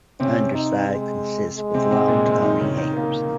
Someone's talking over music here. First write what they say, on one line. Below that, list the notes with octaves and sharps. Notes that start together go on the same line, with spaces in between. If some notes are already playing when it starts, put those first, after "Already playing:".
Underside consists with long tawny hairs.
C3 C4 C#4
D#4
G#3
G#3
C3 C4
C3 C4
A#2 A#3
C3 C4
D#3 D#4
C#3 C#4
D#3 D#4
A#3